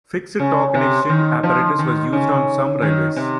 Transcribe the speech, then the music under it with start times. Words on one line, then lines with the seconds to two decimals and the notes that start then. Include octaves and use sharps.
Fixed token exchange apparatus was used on some railways.
0.40 C#3
0.74 C3
1.09 D#3
1.43 F3
1.79 D#3
2.13 C#3
2.82 D#3
3.16 C3